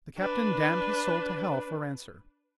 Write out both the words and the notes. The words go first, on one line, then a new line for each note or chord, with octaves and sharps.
The Captain damned his soul to hell for answer.
D4 B4